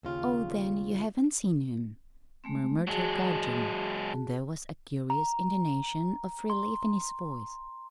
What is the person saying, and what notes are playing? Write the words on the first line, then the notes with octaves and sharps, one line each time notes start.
"Oh, then you haven't seen him," murmured her guardian; and there was a curious intonation of relief in his voice.
D#2 C#3 F4
G#3 A3 C4
F#3 G#3 F#4 G#4 A5
A#5
C6